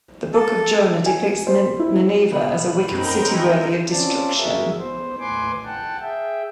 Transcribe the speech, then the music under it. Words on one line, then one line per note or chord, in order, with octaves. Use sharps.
The Book of Jonah depicts Nineveh as a wicked city worthy of destruction.
A4
G#5
C5
E4
B2 B5
F#2 C4 D#4 A#4 G5
E3
C4 C#4 F4 D5 A5
F#4 G#4 A#4 E5
B3 C5
D#2 A2 B4 G#5 C6 D6
F#5 G5 A5
G#4 E5 G5